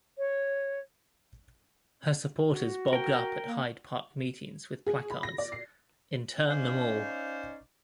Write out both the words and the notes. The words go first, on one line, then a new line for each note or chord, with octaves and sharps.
Her supporters bobbed up at Hyde Park meetings with placards: "Intern Them All".
C#5
F#4
A#4 G5
A#3
G#4
B5
A#6
D5
C7
C#4 D#4 C5 D5 F5